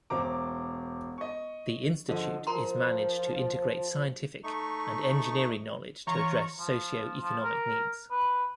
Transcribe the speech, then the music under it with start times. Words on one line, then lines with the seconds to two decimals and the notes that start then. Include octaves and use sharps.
The institute is managed to integrate scientific and engineering knowledge to address socio-economic needs.
0.10 E1 C5 A#5 D6
1.18 D#5 C#6
2.09 D3 F3 D#5
2.47 F3 A#4 A#5 C6
4.44 A3 D#4 C#6
6.07 E3 F4 C#5 A#5 C#6
6.59 F3
7.21 F3
7.44 A#4
8.11 B4